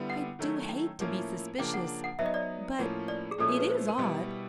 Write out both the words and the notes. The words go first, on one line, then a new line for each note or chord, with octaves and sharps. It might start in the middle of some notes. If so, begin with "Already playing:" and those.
I do hate to be suspicious--but--it is odd.
Already playing: D3 G3 B3 E4
F#5
D#3 F#3 A3 C#4 E4
G5
A2 F3 A#3 C#4 E4
C#3 F3 A#3 D4 G5
F#5
F#5
F#3 B3 D#4 E5
D#5
D5
A2 F3 A#3 C#4
D5
G#4
A#2 F3 G#3 C#4 E4 A4
A#4
B4
C5
A#4
B2 G3 B3 E4